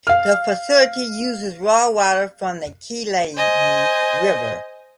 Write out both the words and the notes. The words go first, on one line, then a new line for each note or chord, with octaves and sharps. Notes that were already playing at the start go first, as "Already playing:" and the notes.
The facility uses raw water from the Kelani River.
F5 F6
C5 D#5 G#5